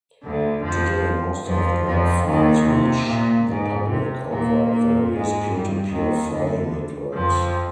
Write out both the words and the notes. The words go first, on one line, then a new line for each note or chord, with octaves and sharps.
Today most of their files reach the public over various peer-to-peer file networks.
D2 D3
F2 F3
F2 F3
F2 F3
D#2 D#3
C3
A#2
G#2
C3
A#2 A#3
A#2 A#3
G#2 G#3
G2 G3
D#2 D#3
D2 D3
F2 F3